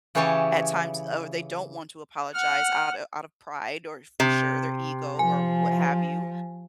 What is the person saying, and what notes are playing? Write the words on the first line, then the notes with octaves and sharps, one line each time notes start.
at times or they don't want to apologize out of out of pride or, for sure, their ego or what have you.
C#3 E3 G4 C#5 G#5 A5
F#5 F6
C3
F3 G#5